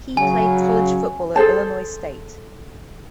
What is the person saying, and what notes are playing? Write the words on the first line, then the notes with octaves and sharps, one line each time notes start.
He played college football at Illinois State.
C#3 F#3 G#5
G#4 A4 C5 A5